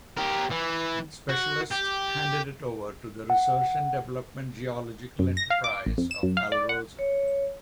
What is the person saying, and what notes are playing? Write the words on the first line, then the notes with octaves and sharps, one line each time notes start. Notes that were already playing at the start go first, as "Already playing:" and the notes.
Specialists handed it over to the Research and Development Geological Enterprise of Alrosa.
G4 A#4
E3
F#4
G4
F#5
F#2
A#6
F5
D6
A1
F2
E7
F#2
F5
D5
F#5
C#5